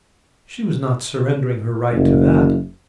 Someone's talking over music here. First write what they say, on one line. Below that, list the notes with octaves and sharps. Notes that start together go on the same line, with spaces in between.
She was not surrendering her right to that.
F#1